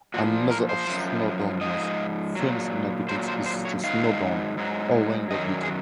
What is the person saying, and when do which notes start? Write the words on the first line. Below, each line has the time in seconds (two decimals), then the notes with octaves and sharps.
Another of Snowdonia's famous inhabitants is the Snowdon or rainbow beetle.
0.14 A#2 F3 F#4
0.51 A#4
0.69 C5
0.87 F#2 F3
1.61 G#2 F3 D#5
2.35 A#2 F#3
3.09 A#2 F#3 C5
3.28 C5
3.46 C5
3.65 C#5
3.84 G#2 D#3 F#3 F5
4.57 G#2 F#3
5.30 F#2 D#3 F#3 D#5
5.63 G#4